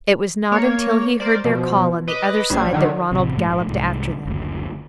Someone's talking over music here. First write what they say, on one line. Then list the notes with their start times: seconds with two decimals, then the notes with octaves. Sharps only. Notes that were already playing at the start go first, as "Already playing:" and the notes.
It was not until he heard their call on the other side that Ronald galloped after them.
0.52 A#3 C#5
1.20 A#4 C5 D5
1.44 B2 F3
2.08 B4 D#5 D6
2.49 A#1 G3 C5 G#6
2.73 D3 D#3 F#3
3.11 A1 C3
3.36 A#1 G#2 F3 A3
3.67 C2 G#2
4.25 F#1 D2